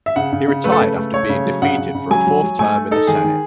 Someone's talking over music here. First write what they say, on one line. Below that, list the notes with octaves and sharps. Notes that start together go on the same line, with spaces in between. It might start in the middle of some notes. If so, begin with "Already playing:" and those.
He retired after being defeated for a fourth term in the Senate.
E5
C#3 F#5
C#3
C#3
A3 B4
A4
C#3 B4
A3
A3 C#5
C#3
F#3
C#3 F#5
C#3
C#3
F#3 G#5
F#3
F#3
A3 G#5
A3
D#4 A4
D#3 G#4
D#3